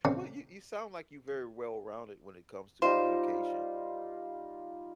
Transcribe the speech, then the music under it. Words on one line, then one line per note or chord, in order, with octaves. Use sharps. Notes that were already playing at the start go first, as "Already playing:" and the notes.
Well, you you sound like you very well-rounded when it comes to communication.
A#2 C#3 E3 G3 C4 C#4
G3 D#4 F4 C5